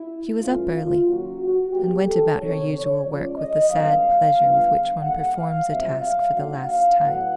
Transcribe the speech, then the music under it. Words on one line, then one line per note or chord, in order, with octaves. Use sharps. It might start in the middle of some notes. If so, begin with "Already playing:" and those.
She was up early, and went about her usual work with the sad pleasure with which one performs a task for the last time.
Already playing: E4
G2 E3 A3 C#4 F4
F4
D#2 C#3 F#3 A#3 F#4
F#4
B1 B2 F#3 A#3 G4
A4
E2 C3 D#3 C#5
C#5
C#2 C#3 F3 D5
D#5
F#2 D3 G3 B3 F5
G2 D3 F3 G#3 B3
G2 D3 G3 A#3 F#5
F5
B1 A#2 G3 C4 E5
F5
D#2 D3 F#3 F#5
F5
A2 F#3 B3 F#5